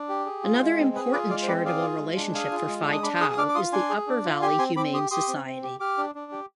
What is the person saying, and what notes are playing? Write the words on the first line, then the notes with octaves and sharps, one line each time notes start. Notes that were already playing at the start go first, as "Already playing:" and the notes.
Another important charitable relationship for Phi Tau is the Upper Valley Humane Society.
Already playing: D4
G4
G#4
F4
G#3
C4
G#4 B4
F4 B4 D5
G#3 D5 F5
C5
C4 B4 D5
G#4 D5 F5
F4
G#3
D4
G#4 F5 G#5
F4
G#3
D4
D#6
D4 B5 D6
F6
G#4 C6 D#6
D#6
D4 D6 F6
D6
F4 C6 D#6
D4 G#5 C6
G#4
D4
F4
G4 G#5 C6
C4 G#5 C6
C4 B5 D6
G4 C6 D#6
G4 C6 D#6
C4
C4
G4
G4 D6 F6
D4
D4
G4